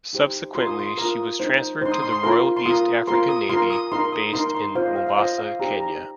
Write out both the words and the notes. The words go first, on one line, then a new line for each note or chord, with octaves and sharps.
Subsequently she was transferred to the Royal East African Navy, based in Mombasa, Kenya.
D#4 G4 C5
F4 A#4 C6
D#6
C6
F4 A#4 D#6
D#4 C5
D#4 C5 C6
D#6
C6
C6
F4 A#4 C6
C6
F4 A#4 D#6
F4 A#4 C6
D#6
F4 A#4 C6
D#6
D#4 A#4 C6
D#6
D#4 A#4 C6
C6
F4 C5 F5
D#5
F5
F5
F4 C5 D#5
F5
D#4 G4 C5 A#5
A#5